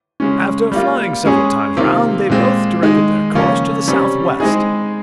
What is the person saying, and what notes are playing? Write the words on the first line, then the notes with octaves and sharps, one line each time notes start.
After flying several times round, they both directed their course to the south-west.
C#3 G#3 C#4
G3 A#3 F4
G#3 C#4 G#4
C3 D#3 A#3 F4
A#2 G#3 C4
D#3 G#3 D#4
C#3 F3 A#3 C#4
C3 G3 C#4
G#3 C4 D#4 G#4